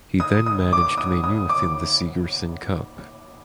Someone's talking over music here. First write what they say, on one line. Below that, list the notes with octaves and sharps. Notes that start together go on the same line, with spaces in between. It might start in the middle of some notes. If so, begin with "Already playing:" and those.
He then managed Maynooth in the Sigerson Cup.
D#6
D#6
D6
D#6
D#6
D6